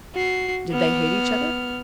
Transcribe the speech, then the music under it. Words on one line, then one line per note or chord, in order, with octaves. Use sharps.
Did they hate each other?
F#4 C7
B3 F6